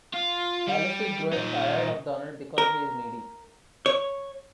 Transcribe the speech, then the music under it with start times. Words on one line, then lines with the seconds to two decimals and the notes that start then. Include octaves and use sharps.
Alice is growing tired of Donald because he is needy.
0.14 F4
0.68 G3
1.32 A#2 D#4
2.58 A#4
3.86 C#5